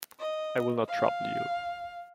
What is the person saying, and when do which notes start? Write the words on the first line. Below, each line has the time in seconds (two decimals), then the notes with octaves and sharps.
I will not trouble you.
0.19 D#5
0.88 F5